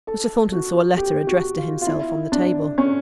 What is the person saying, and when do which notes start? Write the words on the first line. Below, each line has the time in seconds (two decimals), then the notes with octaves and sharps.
Mr. Thornton saw a letter addressed to himself on the table.
0.07 A4
0.52 F#4
0.97 G4
1.27 F#4
1.58 F4
1.81 F4
1.87 E4
2.32 D4
2.78 C#4